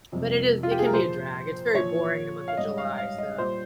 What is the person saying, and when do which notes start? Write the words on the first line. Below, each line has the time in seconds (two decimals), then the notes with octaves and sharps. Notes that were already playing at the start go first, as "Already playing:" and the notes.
but it is it can be a drag, it's very boring in the month of July, so
0.12 F2 C3 G3
0.63 F4
0.71 G4
0.79 G#4
0.86 A#4
0.93 A#2 F3 C5
1.75 A#2 F3 C#5
2.48 F5
2.57 G#2 G3 D#5
2.78 F5
2.98 F5
3.18 D#5
3.38 A#2 G3 C5